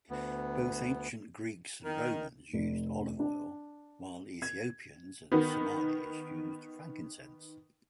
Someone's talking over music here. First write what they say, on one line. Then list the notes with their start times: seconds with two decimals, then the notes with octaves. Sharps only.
Both ancient Greeks and Romans used olive oil, while Ethiopians and Somalis used frankincense.
0.10 D2 B3
1.85 D#3
2.53 F1
3.19 D4
4.42 G#6
5.32 D#3 B3